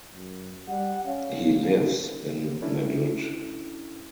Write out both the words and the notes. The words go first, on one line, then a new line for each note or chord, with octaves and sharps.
He lives in Madrid.
F#2
G3 F#5
C#4 F5
B1
C#4 D4 E4 A4